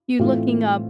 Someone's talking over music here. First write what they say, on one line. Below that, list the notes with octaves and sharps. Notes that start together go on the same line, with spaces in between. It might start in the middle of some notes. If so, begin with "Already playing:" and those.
you're looking up
A2 E3 A3 C4 F4